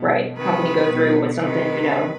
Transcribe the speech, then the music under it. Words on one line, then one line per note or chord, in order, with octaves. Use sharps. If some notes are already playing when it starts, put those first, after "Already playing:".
Right, how can you go through with something, you know?
Already playing: B2
C3 D#3 B4
B2
C3 D#3 B4